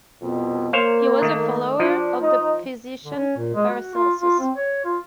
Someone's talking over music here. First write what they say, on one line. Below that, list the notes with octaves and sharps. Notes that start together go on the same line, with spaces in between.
He was a follower of the physician Paracelsus.
C2 F2 B2
A#3 C5 C#5 F5
D#3 A3
F3 D4
D#4
D3
C#4
A#2
G#3
F#4
F4
F4
C4
C#5
F4